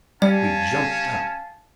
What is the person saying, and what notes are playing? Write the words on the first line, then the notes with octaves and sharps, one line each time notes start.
We jumped up.
G3 C#4 D5 F5 G#5 A5